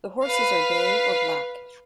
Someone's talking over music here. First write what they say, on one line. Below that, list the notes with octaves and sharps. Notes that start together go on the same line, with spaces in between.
The horses are bay or black.
B4 F5